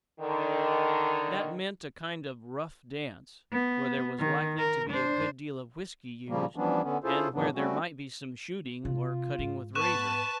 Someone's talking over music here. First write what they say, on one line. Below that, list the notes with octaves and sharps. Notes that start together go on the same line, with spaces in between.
That meant a kind of rough dance, where there was likely to be a good deal of whiskey used, and where there might be some shooting or cutting with razors.
D3 D#3
B3
D#3
A#4
D4 C5
A#2 C#3 F3 G3 A#3
E3 F3 G3 B3 C#4 D4
D3 B3 C#4
C#4 E4 F4 G#4 A4 C5
A2 C#3 E3 F#3 B3 D4
G3 A3 C4 C#4 F#4
C3 F4
G#2
B3 B4 A5 C#6 F#6 E7